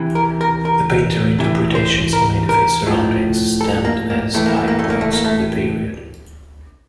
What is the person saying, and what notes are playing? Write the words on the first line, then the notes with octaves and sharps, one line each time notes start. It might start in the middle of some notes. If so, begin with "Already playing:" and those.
The painterly interpretations he made of his surroundings stand as highpoints of the period.
Already playing: C3 E3
A#4
A#4
A#4
C3 E3
C5
A#4
A#4
A2 F3
A4
A#3
A#3
A2 E3 A3
A#3
A3
A#3
A3
A#3
A3
A#3
A3